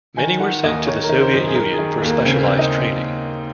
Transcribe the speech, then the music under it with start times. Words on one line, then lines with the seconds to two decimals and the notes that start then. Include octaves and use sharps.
Many were sent to the Soviet Union for specialised training.
0.17 D#3 G#5
0.40 D#3 F#5
0.63 D#2 D#5
0.87 D#3 C#5
1.03 A#4
1.09 D#3
1.21 C5
1.33 F#2 C5
1.47 G#4
1.55 D#3 A#4
1.73 G#4
1.79 D#3
2.02 D#2
2.07 A#3
2.24 C#3 C4
2.34 A#3
2.43 C#3 C4
2.59 D#4